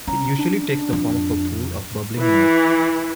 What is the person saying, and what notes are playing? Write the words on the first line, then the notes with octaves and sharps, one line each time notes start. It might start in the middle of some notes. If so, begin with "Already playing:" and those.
It usually takes the form of a pool of bubbling mud.
C#4 A#5
D4
F2
E3